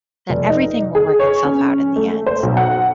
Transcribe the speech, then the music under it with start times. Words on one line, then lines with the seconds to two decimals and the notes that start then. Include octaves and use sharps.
that everything will work itself out in the end
0.29 F1
0.48 D#4
0.95 G#4
1.19 C#5
1.45 C#4
1.96 A3
2.26 C5
2.43 B1
2.57 F#5